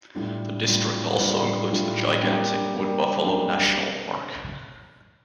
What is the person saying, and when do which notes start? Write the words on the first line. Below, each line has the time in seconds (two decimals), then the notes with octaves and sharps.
The district also includes the gigantic Wood Buffalo National Park.
0.15 A2 G3 D4 F4
0.66 A2 G3 D4 F4
1.18 A2 G3 D4 F4
1.71 A2 G3 D4 F4
2.23 G3 A#3 D4 G4
2.75 G3 A#3 D4 G4
3.26 G3 A#3 D4 G4